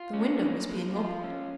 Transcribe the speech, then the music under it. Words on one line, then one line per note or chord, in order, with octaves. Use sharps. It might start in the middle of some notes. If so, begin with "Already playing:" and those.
The window was being opened.
Already playing: F4
C#4
A#3
F3
F4
C#4